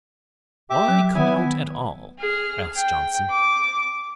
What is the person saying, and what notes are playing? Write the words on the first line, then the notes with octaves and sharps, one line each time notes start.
"Why come out at all?" asked Johnson.
G4 E5 D6
F#3
D#3 B3 E4 G#5
G#4 F6
G5
D6